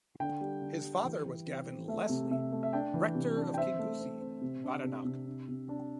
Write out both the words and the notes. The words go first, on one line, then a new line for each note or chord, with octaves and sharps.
His father was Gavin Lesley, rector of Kingussie, Badenoch.
D3 G5
G3
D3
G3
E3
E3
C4
C4
A3 E5
C3
C3 E5
A3
E5
D4 G5
E3
C3
D4
G5
C4 E5
A3
C4
C4
C3
D4
C3
C3
D4
C3
D4